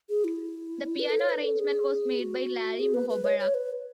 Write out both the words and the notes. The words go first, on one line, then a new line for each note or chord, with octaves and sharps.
The piano arrangement was made by Larry Muhoberac.
G#4
E4
B4
A4
C#5
B4
A4
G#4
F#4
G#4
B4
B4
C#5
C#5
B4